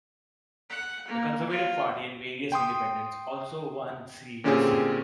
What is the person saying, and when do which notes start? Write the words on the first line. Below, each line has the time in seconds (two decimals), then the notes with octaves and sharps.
The Conservative Party and various independents also won seats.
0.70 F#5
1.07 A#3
1.49 F4
2.52 G5 C6 D#6
4.44 A#2 D3 C4 C#4 G4 G#4